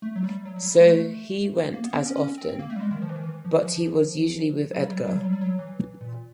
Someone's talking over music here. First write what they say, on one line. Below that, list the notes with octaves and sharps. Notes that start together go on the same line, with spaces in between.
So he went as often, but he was usually with Edgar.
A3
F#3
G3
F#3
F3
F#3
G3
A3
G#3
A3
A#3
B3
C4
C#4
C#4
C4
C4
A#3
A3
G3
G#3
D#3
F3
E3
D#3
E3
F3
E3
F3
F#3
G3
F#3
G3
F#3
G3
F#3
G3
F#3
E3
A#2